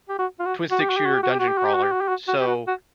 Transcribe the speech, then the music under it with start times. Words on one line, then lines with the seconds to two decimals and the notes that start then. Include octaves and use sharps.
twin-stick shooter dungeon crawler, so
0.09 G4
0.19 F#4
0.39 F4
0.45 F#4
0.71 F#4
0.81 G4
0.89 F#4
0.97 G4
1.06 F#4
1.15 G4
1.23 F#4
1.32 G4
1.39 F#4
1.48 G4
1.58 F#4
1.65 G4
1.74 F#4
1.83 G4
1.92 F#4
2.01 G4
2.08 F#4
2.28 F#4
2.40 G4
2.47 F#4
2.68 F#4